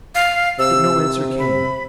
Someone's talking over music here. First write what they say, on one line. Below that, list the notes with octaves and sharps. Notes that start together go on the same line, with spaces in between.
But no answer came.
F5
C3 E6
B5